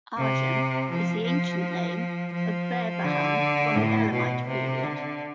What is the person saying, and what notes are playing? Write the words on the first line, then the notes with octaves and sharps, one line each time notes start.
Arjan is the ancient name of Behbahan from the Elamite period.
C3
F3
F3
F3
D3
A2
B2
C3
D3